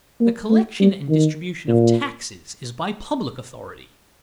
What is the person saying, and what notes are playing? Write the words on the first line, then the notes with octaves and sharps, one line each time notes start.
The collection and distribution of taxes is by public authority.
A#3
A3
G3
D#3
A#2